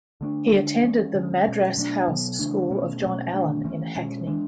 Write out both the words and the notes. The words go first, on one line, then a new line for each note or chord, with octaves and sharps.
He attended the Madras House school of John Allen in Hackney.
D3 A3 D4
D3 G#3 D4
E3 G#3 C#4
D3 G#3 C#4
B2 A3 C#4
B2 F#3 A3 D4
B2 F#3 B3
C#3 E3 A3 D4
B2 A3 C#4
B2 A3 C#4
B2 A3 D4
E3 A3 C#4
B2 G#3 C#4
E3 G#3 D4